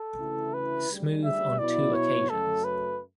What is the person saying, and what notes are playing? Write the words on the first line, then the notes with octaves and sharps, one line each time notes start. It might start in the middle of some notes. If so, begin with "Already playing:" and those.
Smooth on two occasions.
Already playing: A4
D2 C#3 E3 A3 E4
B4
D2 C#3 G3
E5
B2 F#3 B3 E4 D5
C#5
F#2 C#3 F#3 A3 A4
B4